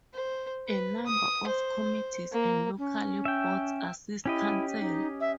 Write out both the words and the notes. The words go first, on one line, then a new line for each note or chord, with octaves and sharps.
A number of Committees and local Boards assist Council.
C5
B4
D#6
C5
A#3
C#4
E5 G5
C#4 E4 G4 D#5
D#4
E5